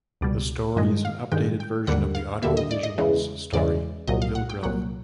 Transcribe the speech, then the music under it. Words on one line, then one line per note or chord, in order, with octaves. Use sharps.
The story is an updated version of the Audio Visuals story "Vilgreth".
C#2 B2 G3 D5
G2 D#3 G#3 D#5
F5
G2 D#3 G#3 G5
G5
D#2 D3 G3 A#3 F#5
F5
D#2 D3 G3 A#3 E5
D#5
D5
D#5
E2 C#3 E3 G#3
E2 C#3 E3 G#3 D5
C2 A#2 F#3 D#5
F5
F#5
G5
C2 A#2 F#3 F#5